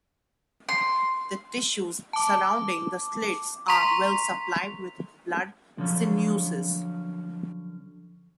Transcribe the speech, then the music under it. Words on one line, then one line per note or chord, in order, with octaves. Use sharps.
The tissues surrounding the slits are well supplied with blood sinuses.
C6
A5 D6
A#5 C6 C#6 B6 F7
D3 F3 F#3 C#4